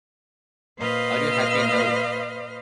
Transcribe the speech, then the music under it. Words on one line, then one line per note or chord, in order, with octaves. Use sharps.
Are You Happy Now?
A#2 B4 C5 D#5 F5 F6